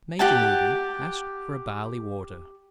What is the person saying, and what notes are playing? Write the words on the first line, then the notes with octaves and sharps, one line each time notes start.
Major Moody asked for barley-water.
G4 F#5 G5 A5